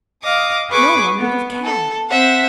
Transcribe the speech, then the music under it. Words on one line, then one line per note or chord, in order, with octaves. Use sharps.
No one would have cared.
D#5 F5 D6 D#6
G#4 B4 B5 C#6 D6
B3
A4
C4 C5 E5 F#5